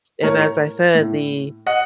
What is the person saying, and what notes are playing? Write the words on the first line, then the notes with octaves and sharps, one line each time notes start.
and, as I said, the
A2 A#4 C#5
A2
D#5 F#5